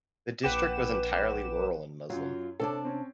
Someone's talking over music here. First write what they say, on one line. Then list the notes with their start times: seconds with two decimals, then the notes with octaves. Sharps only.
The district was entirely rural and Muslim.
0.43 A#1 B4 F#5 G5 D6 E7
2.10 F#2 F#3 F4
2.60 C3 D4 A4 C#5 A5 D6
2.85 C4 C#4 C#5